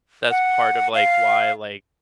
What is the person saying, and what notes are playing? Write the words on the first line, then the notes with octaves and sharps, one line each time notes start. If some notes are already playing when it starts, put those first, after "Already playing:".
That's part of, like, why, like,
F#5
F5